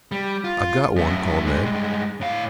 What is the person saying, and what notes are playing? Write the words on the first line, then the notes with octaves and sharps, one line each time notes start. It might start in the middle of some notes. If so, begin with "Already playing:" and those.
"I've got one," called Ned.
G3
F4
F#2 A3
G2 G#3
A2 F5